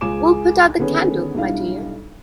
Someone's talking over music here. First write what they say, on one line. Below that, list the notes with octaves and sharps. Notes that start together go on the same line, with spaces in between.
We’ll put out the candle, my dear.
C#2 F4 G#4 G#5 D6 E7
D3 D#3 B3 C#4 G#4 C#5
B1 G3 D4 E4 F5